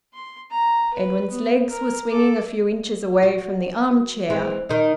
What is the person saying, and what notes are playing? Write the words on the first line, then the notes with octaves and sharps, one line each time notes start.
Edwin's legs were swinging a few inches away from the arm-chair.
C6
A#5
B4
B3
A#4
A4 D6
F#4
E3 G#3 C4
D#3 D#4